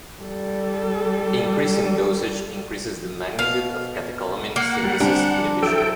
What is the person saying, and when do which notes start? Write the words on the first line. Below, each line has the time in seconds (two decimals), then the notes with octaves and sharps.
Increase in dosage increases the magnitude of catecholamine synthesis inhibition.
0.22 G3 A4
3.39 B2 F5
4.56 A#3 F#5
4.83 F#3 G3 G4
5.00 D3 G3 C4 D4 G4 G#5 A#5
5.63 F#3 E4 A4 G5